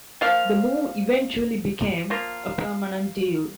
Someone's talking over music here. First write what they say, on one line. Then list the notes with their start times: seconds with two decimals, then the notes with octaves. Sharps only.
The move eventually became a permanent deal.
0.21 F3 A#3 F4 F5
2.10 F3 A#3 F4